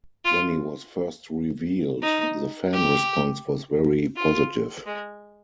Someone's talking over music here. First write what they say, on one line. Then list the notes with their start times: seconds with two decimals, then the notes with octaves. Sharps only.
When he was first revealed, the fan response was very positive.
0.25 F4
2.02 D#4
2.73 G4
4.16 F4
4.86 G#3